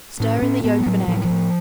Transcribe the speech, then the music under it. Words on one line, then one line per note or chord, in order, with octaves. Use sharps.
Stir in the yolk of an egg.
A2 C#4
A2 C#4
A2 B3
G3
A2 F#3
A2 F3
F#3
F3
A2